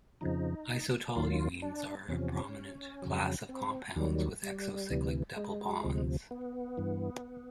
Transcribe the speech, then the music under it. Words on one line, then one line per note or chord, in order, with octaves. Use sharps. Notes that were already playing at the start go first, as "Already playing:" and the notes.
Isotoluenes are a prominent class of compounds with exocyclic double bonds.
F2 C#3 F3 D#4
D#2 D#3 F#3 F4
D4
E2 C3 F3 C#4
F2 C#3 F#3
C4
D#2 D#3 F#3 G3
G3
D2 C3 E3
G#3
D2 C3 F3
B3
G2 E3